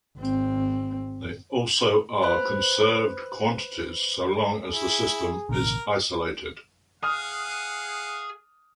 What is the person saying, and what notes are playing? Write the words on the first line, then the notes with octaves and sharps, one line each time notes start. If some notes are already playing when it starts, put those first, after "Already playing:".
They also are conserved quantities, so long as the system is isolated.
G#1 C4
B4 C5 B5 F#6
E4 G#4
A1 B2 D3 A#4
G#4 F5 F#5 D#6 F6